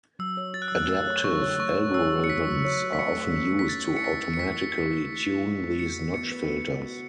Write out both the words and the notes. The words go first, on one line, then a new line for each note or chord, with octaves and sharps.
Adaptive algorithms are often used to automatically tune these notch filters.
F#3 E6
C#5
F#4 A6
F#6
E6
F#3 F#6
A3 E6
C#5
F#3 C#6
C#5
A3 C#6
C#5
C#5 E6
F#4
C#7
C#5 B6
F#3
C#5
F#4
B6
A3 C#7
A3
C#4
A3
B6
A3 A6
E4
C#7
E4 B6
A3
C#7
A3 B6
A3
E4
A3
A3
E4
C#4
A3
F#4 C#7
B3
B3 C#7
B4
B3
B3
F#4